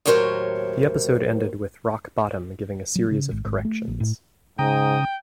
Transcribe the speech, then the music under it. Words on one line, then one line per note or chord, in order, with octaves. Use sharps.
The episode ended with Rock Bottom giving a series of corrections.
D#2 A2 F#3 A#4 C5 C#5
F#3
C#3
G#1
G#1
A3
A#1
A2
G#2 C#3 G5 A#5 D#6